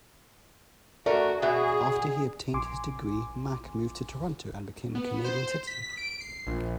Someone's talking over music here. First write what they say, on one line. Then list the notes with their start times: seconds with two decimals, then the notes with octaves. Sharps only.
After he obtained his degree, Mak moved to Toronto and became a Canadian citizen.
1.06 A3 F#4 A#4 D5
1.42 B2 F#4 G#4 E5
2.54 A#1 G#5 C6 D6
4.95 B3
5.24 C5
5.67 B6
5.97 D7
6.21 C7
6.47 A#1